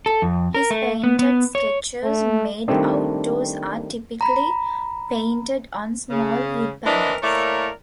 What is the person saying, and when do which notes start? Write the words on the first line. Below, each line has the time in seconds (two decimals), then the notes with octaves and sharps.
His painted sketches made outdoors are typically painted on small wood panels.
0.06 A4
0.22 F2
0.54 A#4
0.70 A3
1.04 B3
1.19 B3
1.55 C#5
2.03 A3
2.68 D#3 G3 A3 C4 D4
4.21 A#5 B5
6.10 C#3
6.86 E3 D4 E4 A#4 C5 D#5
7.23 A3 A#3 E4 A#4 C#5 D5